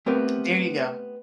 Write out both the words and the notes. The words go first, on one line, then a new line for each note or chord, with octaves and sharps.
There you go.
A3 B3 C4 G4 A#4 B4